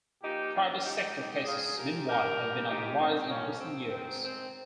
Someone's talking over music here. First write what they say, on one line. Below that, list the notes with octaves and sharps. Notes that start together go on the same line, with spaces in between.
Private sector cases meanwhile have been on the rise in recent years.
A#2 F3 D#4 G4
C#4 F4
G#2 D#3 D#4 G4
D#4 G4
G#2 F3 F4 G#4
G4 A#4
G2 F3 G4 A#4
G#2 F3 D#4 G4
C4 D#4
G2 F3 A#3 C#4
C4
G#2 D#3 C4
C4